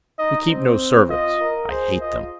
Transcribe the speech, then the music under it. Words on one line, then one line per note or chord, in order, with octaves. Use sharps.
We keep no servants--I hate them.
D#4 D#5
C4
F4 D#5
A#4
G#4 C5
F4 D#5